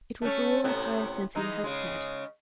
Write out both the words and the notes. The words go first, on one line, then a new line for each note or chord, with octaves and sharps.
It was all as Hyacinthia had said.
A3 C#4
A2 C3 B3
E3 G#3 D#4
C#3 G#3